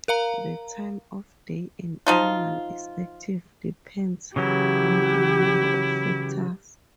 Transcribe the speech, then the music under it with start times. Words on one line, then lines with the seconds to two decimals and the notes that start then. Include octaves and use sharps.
The time of day an animal is active depends on a number of factors.
0.08 A#4 F5 A#5
2.07 F3 D#4 F4
4.36 C#3 E3 F#3 E4 G4